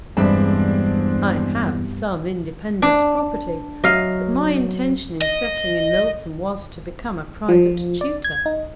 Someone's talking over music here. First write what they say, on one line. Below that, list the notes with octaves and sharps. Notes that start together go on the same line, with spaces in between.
I have some independent property, but my intention in settling in Milton was to become a private tutor.'
E2 G2 G#3 C4 D4 B5 E7
D4
F#3 D#5 F5
D#5
F3
D5
G#6
D#4